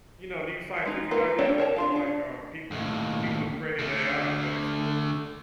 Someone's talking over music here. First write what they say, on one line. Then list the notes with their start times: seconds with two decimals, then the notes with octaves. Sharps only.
you know, new scientific ideas or or, like, um, people, the people who created AI, are they explorers?
0.85 G#3 D#4
1.11 A#3 F4 A4 B4
1.39 D4 G4 A4 C#5 D5
1.58 A#4 C#5 A5
1.76 D4 F4 F5
1.96 D4
2.71 D#2 A2
3.79 D3 A3